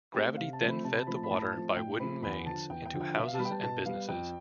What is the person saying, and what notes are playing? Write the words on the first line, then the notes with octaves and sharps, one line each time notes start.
Gravity then fed the water by wooden mains into houses and businesses.
A3 C4 G4
C3 F5
A5
F3 A3 C4
B5
C3 A5
B5
A5
F3 A3 C4 B5
A5
B5
A2 A5
B5
A5
F3 A3 C4
A2 G5
F3 A3 C4 B5
E2 B5
D3 F3 A5
E2 G5
G5
D3 F3
G5
B2 E5
F5
A5
G3 B3 B5
G5
A5
B2 A5
G3 B3 F5
F2 G5